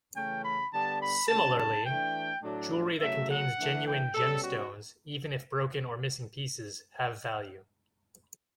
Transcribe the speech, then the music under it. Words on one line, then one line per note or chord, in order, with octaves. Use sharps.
Similarly, jewelry that contains genuine gemstones, even if broken or missing pieces, have value.
C#3 E3 A3 C#4 G5
B5
D3 G3 B3 D4 A5
B5
C#3 G3 D4 A5
A5
E3 A3 D4 G5
A2 F#3 A3 D4
C#3 F#3 A3 E5
F#5
E3 A3 D4
G5
B2 G3 C#4 A4
F#4